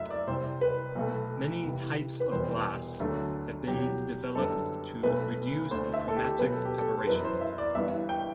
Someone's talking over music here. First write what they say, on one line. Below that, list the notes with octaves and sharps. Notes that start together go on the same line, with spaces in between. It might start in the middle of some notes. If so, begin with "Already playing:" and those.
Many types of glass have been developed to reduce chromatic aberration.
Already playing: F#2 F#3 A3 E5
D5
C2 C3 G3 C5
B4
B1 B2 A3
C2 C3 E3
B4
E1 E2 B2 G3 B3 C5
D2 D3 F#3 A3
E2 B2 F#3 G4
F#2 D3 G3 B3 A4
B1 B2 A3 B4
D2 D3 A3 C5
E5
A4
G4
B1 B2 F#3 B3 B4
A4
G4
A4
C5
F#2 E3 B3 B4
C5
E5
D5
G1 G2 E3 B3 E5
G5